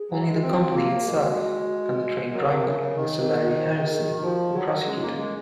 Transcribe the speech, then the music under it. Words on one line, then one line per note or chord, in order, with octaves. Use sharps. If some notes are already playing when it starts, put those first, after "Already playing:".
Only the company itself and the train driver, Mr Larry Harrison, were prosecuted.
Already playing: G#4
F#3
G#3
F4
C4 F#4
F#4
A#3 F4
F4
G#4
G#3 F#4
F#3 A#4
C3
C#3
C#3
D#3 A#4
A#4
G#4
A#4
C5
A#4
F#4
G#4
F#4
D#3
F3 F#4
F#3 G#4
G#3 C#4
A#3
G#3